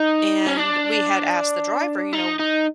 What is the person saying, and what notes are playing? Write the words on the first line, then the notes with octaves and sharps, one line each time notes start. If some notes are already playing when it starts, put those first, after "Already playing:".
and we had asked the driver, you know,
Already playing: D#4
C#4
D4
D#4
D#4